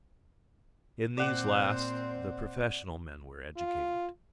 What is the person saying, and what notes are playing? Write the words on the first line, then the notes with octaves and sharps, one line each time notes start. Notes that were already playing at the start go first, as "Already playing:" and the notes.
In these last the professional men were educated.
A#2 C4 C5 D5 F#5
F4